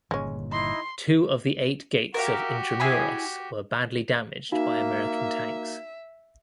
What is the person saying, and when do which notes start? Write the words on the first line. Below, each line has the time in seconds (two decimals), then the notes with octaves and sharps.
Two of the eight gates of Intramuros were badly damaged by American tanks.
0.11 G1 A#2 D#3 G#3 C#4
0.52 D#4 E4 D#5 C6
2.14 F#4 G4 A#4 E5 F5
2.80 E4 G#4 B5
4.52 A#3 D#4 F#4 E5 F5